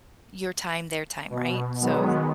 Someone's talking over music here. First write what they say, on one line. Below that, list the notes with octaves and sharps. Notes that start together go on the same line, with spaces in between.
your time, their time, right? So,
B2
D#3 F#3 G#3 B3